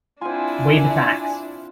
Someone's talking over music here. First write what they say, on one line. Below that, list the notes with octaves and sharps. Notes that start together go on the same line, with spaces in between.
Weigh the facts.
C4 D4 E4 F4 G#5